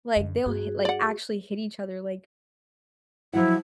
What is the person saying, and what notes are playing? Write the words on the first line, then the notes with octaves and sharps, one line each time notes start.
like, they'll hit like, actually hit each other, like
F#2 D3
G2 F#4 G#4
D5 F#5
F3 F#3 E4 F#5